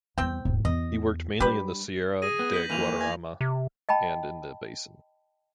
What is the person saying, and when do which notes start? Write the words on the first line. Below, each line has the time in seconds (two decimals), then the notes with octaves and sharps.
He worked mainly in the Sierra de Guadarrama and in the basin.
0.18 E2 G3 C4 G5
0.45 D#1 G#2
0.65 E2 D#5
1.40 G3 D4 G4 B4
2.22 G#4 A#6 D#7
2.39 B3
2.51 G6 B6 F#7
2.70 E2 E3 A#3 D#7 F7
3.01 G#5 A#6
3.41 C3
3.89 D#5 G5 A5 B5